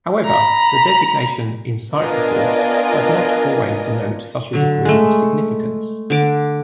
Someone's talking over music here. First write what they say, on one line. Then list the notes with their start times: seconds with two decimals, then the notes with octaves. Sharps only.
However, the designation "encyclical" does not always denote such a degree of significance.
0.25 A#5 B5
1.94 B3 D4 F4 A#4 D#5 G#5
4.53 D3 F#3
4.85 G#3 A3
6.10 D3 D6